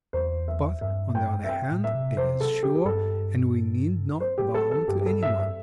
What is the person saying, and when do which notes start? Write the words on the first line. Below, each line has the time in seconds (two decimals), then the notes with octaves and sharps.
But, on the other hand, it is sure; and we need not bow to any one.
0.13 E2 C5
0.48 E5
0.81 G2 E5
1.15 G5
1.44 E5
1.49 G5
1.72 A2
1.84 E5
1.95 C3
2.17 C3 C5
2.40 A4
2.63 G4
2.75 G4
2.85 G2 A4
4.20 C5
4.38 G4
4.54 A4
4.71 A4
4.88 G2 G4
5.00 G4
5.06 A4
5.23 E5
5.39 E5